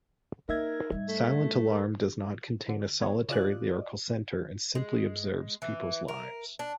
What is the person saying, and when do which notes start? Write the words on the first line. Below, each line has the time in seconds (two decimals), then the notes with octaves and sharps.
"Silent Alarm" does not contain a solitary lyrical centre and simply observes people's lives.
0.49 A#3 D#4 A#4 E5 G#6
0.92 G#2 G3
1.09 A3
1.68 A4 A#4
2.69 D3
3.01 B3 C#5
3.29 C#3 C#4 F4 D5 D#5 F#6
4.75 G#3
5.62 E3
6.08 A#4
6.59 D4